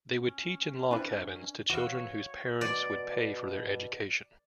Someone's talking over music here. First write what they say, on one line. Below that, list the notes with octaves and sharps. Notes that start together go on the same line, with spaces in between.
They would teach in log-cabins to children whose parents would pay for their education.
C#4
C4 D4 E4 B4
E2 F#4 B4 F5 E6
C#5
B2 D5